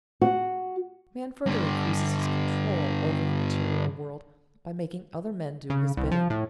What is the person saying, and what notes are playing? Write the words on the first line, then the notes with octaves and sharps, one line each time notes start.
Man further increases his control over the material world by making other men do his bidding.
F#4
G2 D3
C#3
C2
F3
A2